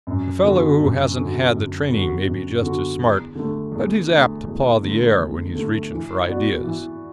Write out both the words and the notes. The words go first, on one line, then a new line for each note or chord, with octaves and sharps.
The fellow who hasn't had the training may be just as smart, but he's apt to paw the air when he's reaching for ideas.
F#2
D3 B3 F#4
F#2
D3 B3 F#4
F#2
D3 B3 F#4
F#2
D3 B3 F#4
E2
D3 A3
E2
D3 A3
E2
D3 A3
E2
D3 A3
E3
B3 F#4 D5
E3